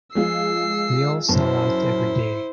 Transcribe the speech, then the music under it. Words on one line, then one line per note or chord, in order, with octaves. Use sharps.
We all sell out every day.
F3 G#3 F4 E6 C7
F#2 E4 C5 A5